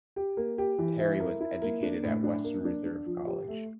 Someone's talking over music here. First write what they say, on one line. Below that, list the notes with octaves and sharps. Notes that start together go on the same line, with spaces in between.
Terry was educated at Western Reserve College.
G4
A#3
G4
E3
E4
A#4
E4
A#3
D4
A2
D4
A#3
D4
D4
F3
G4
A3